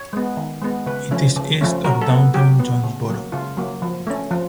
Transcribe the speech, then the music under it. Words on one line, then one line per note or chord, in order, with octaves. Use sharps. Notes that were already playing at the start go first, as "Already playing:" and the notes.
It is east of downtown Jonesboro.
Already playing: C#5
G#3 B3
D#3
G#3 B3
C#3 B4
F3 A3 C#4
C#3
F3 A3 C#4
F#3 A#4
A4
B3
F#3 G4
B3
C#3
F#3 A#3
C#3 F4
F#3 A#3
F3
A3 C#4
F3